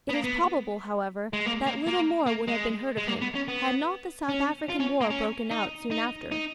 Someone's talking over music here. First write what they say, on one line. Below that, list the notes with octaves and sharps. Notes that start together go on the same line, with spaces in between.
It is probable, however, that little more would have been heard of him, had not the South African War broken out, soon after.
B3
A#3
B3
G#3
A#3
A#3
A#3
A#3
G#3
G#3
A#3
B3
C#4
B3
C#4
F4
C#4
A#3
C#4
D#4
D#4
D#4